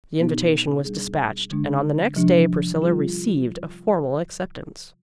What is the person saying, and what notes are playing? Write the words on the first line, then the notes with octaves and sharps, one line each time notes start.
The invitation was despatched, and on the next day Priscilla received a formal acceptance.
B2 B3 D#4 G4
G3 D4 G#4
D3 G#3 D4
C3 F3 G#3 D4 G4
G3 C4 F4 G#4